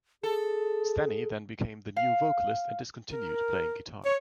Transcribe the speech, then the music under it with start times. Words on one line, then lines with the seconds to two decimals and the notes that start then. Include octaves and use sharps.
Stanne then became the new vocalist and discontinued playing guitar.
0.23 G#4 A4
1.96 F5
3.11 A#4
4.04 C#5